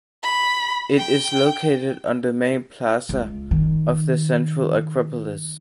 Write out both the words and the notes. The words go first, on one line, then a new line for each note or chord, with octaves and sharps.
It is located on the Main Plaza of the Central Acropolis.
B5
G5
C#2
D#3